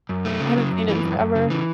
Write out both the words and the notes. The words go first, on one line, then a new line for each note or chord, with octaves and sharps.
I haven't seen it in forever.
F#2
A3
C#3
F#3
F#2
E3
F#2
F#2
C#3
E3